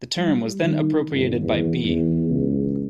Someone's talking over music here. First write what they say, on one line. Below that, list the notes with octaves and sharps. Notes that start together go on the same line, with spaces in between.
The term was then appropriated by B.
G3
D#3
G1
E2
E2
C#2